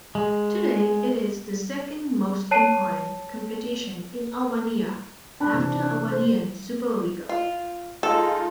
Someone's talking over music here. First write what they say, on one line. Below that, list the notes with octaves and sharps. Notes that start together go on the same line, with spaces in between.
Today it is the second most important competition in Albania after Albanian Superliga.
G#3
C#5 A5 C7 D#7
D4 A5 B5 F#6
C3 E3
C5
F4
G#3 D#4 F4 A4